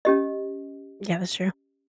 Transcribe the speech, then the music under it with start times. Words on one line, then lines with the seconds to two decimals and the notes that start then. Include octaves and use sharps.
Yeah, that's true.
0.05 C#4 G4 D#5